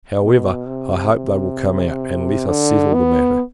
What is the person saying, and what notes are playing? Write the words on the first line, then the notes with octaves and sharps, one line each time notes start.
However, I hope they will come out, and let us settle the matter.
B2
C3
C3
D3
B3